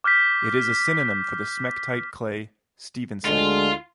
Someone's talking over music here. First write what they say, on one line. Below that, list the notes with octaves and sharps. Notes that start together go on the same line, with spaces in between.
It is a synonym for the smectite clay: stevensite.
D6 F6 G6 B6
D2 D3 G#3 F4